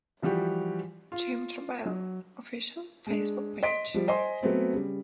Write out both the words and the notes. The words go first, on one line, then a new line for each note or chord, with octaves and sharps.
Jim Tarbell, Official Facebook Page.
E3 F3 G3 F#4 G4
F4
F#3
G#3 D4
D#5 C6 B6 D7
F3 G3
C5 D#5 G#5 C6
F#3 A3 B3 C4
C#3 G3